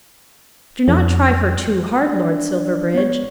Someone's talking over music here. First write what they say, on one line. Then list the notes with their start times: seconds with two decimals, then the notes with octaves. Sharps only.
Do not try her too hard, Lord Silverbridge.
0.88 F2
2.04 D4
2.94 B3 C#5